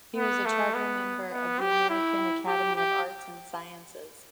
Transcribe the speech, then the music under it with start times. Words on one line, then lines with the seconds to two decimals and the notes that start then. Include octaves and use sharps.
He was a charter member of the American Academy of Arts and Sciences.
0.16 B3
0.45 A3
0.74 B3
1.32 B3
1.60 G4
1.90 E4
2.47 G4
2.76 G4